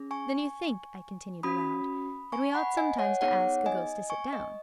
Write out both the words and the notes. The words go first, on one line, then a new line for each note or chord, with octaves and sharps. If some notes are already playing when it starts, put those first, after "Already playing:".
Then you think," I continued aloud, "that we ought sometimes to ask a Ghost to sit down?
Already playing: C#4 G#4
G#5 C#6
C#4 F#4 B5 D#6
G#5 C#6
F#5 B5
D#5 G#5
C#5 F#5
B3 D#4 G#4 C#5 F#5
D#5 G#5
G#5 C#6
D#5